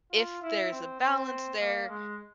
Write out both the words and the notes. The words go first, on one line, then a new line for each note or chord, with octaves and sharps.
if there's a balance there
F4
E4
C4
C4
A#3
G#3